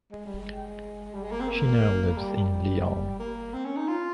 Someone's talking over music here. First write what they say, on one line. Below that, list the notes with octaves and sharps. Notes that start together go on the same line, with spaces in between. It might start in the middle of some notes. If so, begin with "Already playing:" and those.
She now lives in Lyon.
G#3
G3
G#3
G3
G#3
A#3
C4
A#3
G3
A#3
C4
C#4
D#4
F4